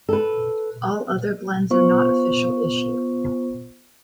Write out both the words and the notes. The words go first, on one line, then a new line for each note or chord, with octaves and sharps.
All other blends are not official issue.
A4 B4
B3 F4 C5 C#6